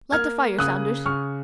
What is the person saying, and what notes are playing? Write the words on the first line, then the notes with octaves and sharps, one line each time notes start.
Light the fire, Saunders.
A#3 F6 G#6
C#3 D#6 F#6
C#3 C#6 F6